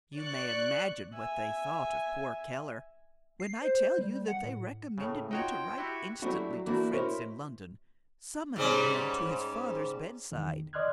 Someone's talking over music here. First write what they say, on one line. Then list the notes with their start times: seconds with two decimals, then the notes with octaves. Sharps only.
You may imagine what they thought of poor Keller, when I tell you that they recommended me to write instantly to Fritz in London summoning him to his father's bedside.
0.16 D5 C#6 F#6
1.13 E5 G#5
3.40 C7
3.62 C5
3.98 G3
4.28 F#5
4.43 A2
4.98 A2 C#3
5.31 D#4 F4 F#4 C#5 G5
5.78 E4 F#4 G4
6.22 F#3 G3 A3 D4 E4 F#4
6.50 F#3
6.66 E3 A3 A#3 D4 E4 F#4
6.93 E4 F#4 A#4 C5 C#5 D#5
8.56 G#2 G3 C#4
10.32 E2 D#3
10.73 D5 D#5 C6 F6 F#6 G#6